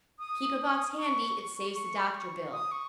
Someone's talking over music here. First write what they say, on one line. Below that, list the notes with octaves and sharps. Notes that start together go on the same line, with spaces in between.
Keep a box handy, it saves the doctor bill.
D#6
C#6
C#6
B5
C#6
D#6
C#6